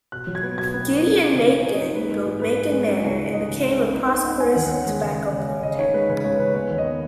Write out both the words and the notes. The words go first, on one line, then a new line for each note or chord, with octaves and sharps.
Gideon Macon built "Macon Manor" and became a prosperous tobacco planter.
B2 F#6
F#3
G#6
B3
B2 G#6
B3
D#4
D#4
D#4
C#3
D#4
D#4
D#5
D#4
G#3 B4
G#2
G#2
G#2 B4
G#3
G#3
D#4
C#2
C#2
D#4 D#5
C#3
C#2
B3
D#4
D#4
D#4 F#5
B3 G#5
D#2 F#5
C#4
G#3
C#3
C#4
C#3
C#4
C#3 D#5
D#4 C#5
G#3 B4
C#3 B4
G#3 C#5
C#3 B4
B3 C#5
D#2
D#5
B3